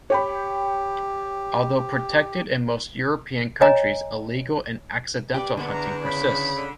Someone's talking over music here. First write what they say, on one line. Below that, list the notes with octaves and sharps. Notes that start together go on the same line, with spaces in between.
Although protected in most European countries illegal and accidental hunting persists.
G4 C#5 G5 B5
C#5 D#5 G#5 A#5
G3 G4 B4 D5
E2 D3 B3 D4 B4
A#5
C#3 B5
D3